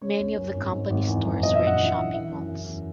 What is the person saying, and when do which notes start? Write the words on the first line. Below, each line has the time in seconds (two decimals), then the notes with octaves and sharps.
Many of the company's stores were in shopping malls.
0.01 C#3 C#5
0.19 C#2
0.36 F#2
0.55 G#1
0.72 G#2
0.90 G#1
1.08 E2
1.25 F#1
1.43 A#2 D#5
1.55 E5
1.61 A#1
1.67 F#5
1.79 E3
1.97 F#2
2.14 E3 E5
2.32 F#2
2.50 C#3
2.68 E2